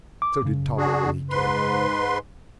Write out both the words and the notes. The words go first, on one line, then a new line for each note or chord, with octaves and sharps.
So did Topper when he came.
D6
F#2 C#3
D4 F#4 G#4
G#2 B4 C6